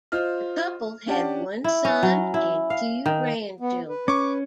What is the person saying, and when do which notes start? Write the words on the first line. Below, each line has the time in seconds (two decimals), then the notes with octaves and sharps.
The couple had one son and two grandchildren.
0.12 F4 C5 D#5 F6
1.07 C#4 D4 G4 D5 F#5 A5
1.64 E4
1.85 C#4
2.03 F#3
2.34 E4
2.70 F5
3.06 D#3
3.60 B3
3.89 B4
4.08 C#4 C#6 D6